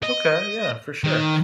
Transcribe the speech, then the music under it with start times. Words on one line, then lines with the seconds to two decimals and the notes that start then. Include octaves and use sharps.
Okay, yeah, for sure.
0.03 D#5
1.04 D#3